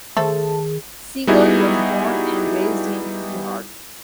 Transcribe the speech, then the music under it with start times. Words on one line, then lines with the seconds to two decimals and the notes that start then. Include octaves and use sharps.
Segal was born and raised in New York.
0.17 D#3 A3 G#4 A4 C5 A5
1.27 G3 B3 D#4 E4 F#4 G#4